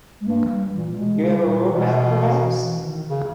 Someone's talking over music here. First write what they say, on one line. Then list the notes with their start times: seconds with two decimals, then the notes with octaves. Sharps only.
You have a road map, perhaps?
0.21 G#3
0.26 G2 A#3
0.43 E3
0.50 G3
0.74 A#2 E3
0.94 A#3
0.97 B2 G#3
1.20 C#3 G#3
1.33 G3
1.44 A#2
1.68 B2 E3
2.03 E3
2.38 E3
2.61 E3
2.85 D#3
3.10 C#3